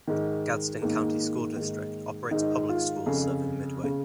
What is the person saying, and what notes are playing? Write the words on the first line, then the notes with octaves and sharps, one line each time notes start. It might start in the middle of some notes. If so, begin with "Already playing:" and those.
Gadsden County School District operates public schools serving Midway.
G#2 D#3
G#2 D#3 A#3
G#2 D#3
G#2 D#3 D#4
F4
F2 C#3 G#4
C#3